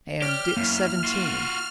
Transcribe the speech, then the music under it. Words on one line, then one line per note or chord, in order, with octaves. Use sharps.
And--Dick's seventeen!
G4 C#5 D5 F6
F#2 A#3 E4
F4 F#4